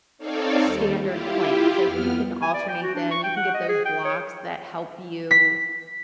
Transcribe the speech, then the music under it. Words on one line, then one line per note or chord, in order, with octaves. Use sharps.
standard planks. Like, you can alternate them, you can get those blocks that help you. Y
C4 D#4 A4 C#5 D5 F5
D#2 G3
E4 F4 G4
F2 B3 F6
G#5
D5
G5
F#4
D4
C#6
G5
F#5
D#5
G#4
G5
C#5
B6